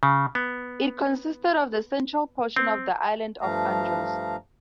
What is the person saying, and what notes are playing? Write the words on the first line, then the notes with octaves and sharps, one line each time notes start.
It consisted of the central portion of the island of Andros.
C#3
B3
C4
G2 F3 A3 F5 A#5